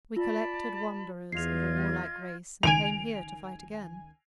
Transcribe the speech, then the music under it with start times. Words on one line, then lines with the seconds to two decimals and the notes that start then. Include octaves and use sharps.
We collected wanderers of a warlike race and came here to fight again.
0.16 F4 D5 A5 B5
1.32 E2 F4 D#5 G#6 C7 F7
2.63 C#2 D#3 G#5 D7 F7